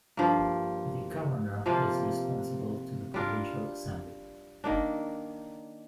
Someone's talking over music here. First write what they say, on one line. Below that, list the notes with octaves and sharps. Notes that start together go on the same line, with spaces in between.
The governor is responsible to the Provincial Assembly.
G2 F3 A#3
C3 F3 A#3 F4
G3 D4 F4 A#4
D#3 A#3 D4